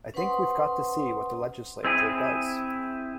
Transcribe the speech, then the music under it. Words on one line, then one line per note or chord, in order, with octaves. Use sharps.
I think we've got to see what the Legislature does.
C#4 B4 C5 F#5 C6 D#6
C4 E4 G#4